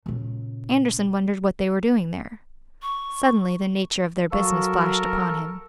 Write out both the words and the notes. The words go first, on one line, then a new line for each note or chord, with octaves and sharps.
Andersen wondered what they were doing there Suddenly the nature of their business flashed upon him.
A#2 C#3
C#6
F#3 A4 A#4 F5 C#6